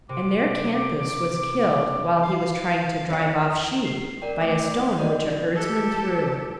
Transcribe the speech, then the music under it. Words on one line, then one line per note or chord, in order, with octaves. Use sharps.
And there Canthus was killed while he was trying to drive off sheep, by a stone which a herdsman threw.
C3 D6
F5
E2 F#5
C7
A#4 D5 G5
A3 G5 D6
F#4 D5 D#5
G4 A4